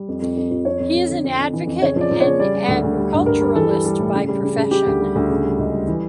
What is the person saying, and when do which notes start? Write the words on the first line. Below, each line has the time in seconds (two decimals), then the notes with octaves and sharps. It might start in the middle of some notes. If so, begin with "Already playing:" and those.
He is an advocate and agriculturalist by profession.
Already playing: G3
0.08 F2
0.22 F2
0.37 F2
0.51 F3
0.65 F2 C#5
0.80 F2
0.95 F2
1.09 D3
1.24 F2
1.39 F2
1.53 E3
1.67 F2
1.82 C#3 C#5
1.96 F3 D5
2.11 F3
2.21 C#5
2.25 C#3
2.40 G3 D5
2.55 G3
2.68 D2
2.83 D2
2.97 G3
3.13 G2
3.26 G2 A#4
3.41 G3
3.55 E3 A4
3.70 G3
3.85 G3
3.99 A2
4.14 C#3
4.29 G3
4.43 C#3
4.58 C#3
4.71 G3 G4
4.86 D2
5.01 G3
5.15 D2
5.29 C#3
5.44 G3
5.59 C#2
5.73 G3
5.87 E3